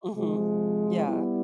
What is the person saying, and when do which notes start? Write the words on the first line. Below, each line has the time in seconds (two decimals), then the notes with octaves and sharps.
Mhm. Yeah.
0.15 C3 F3 G#3
1.06 G3 B3 E4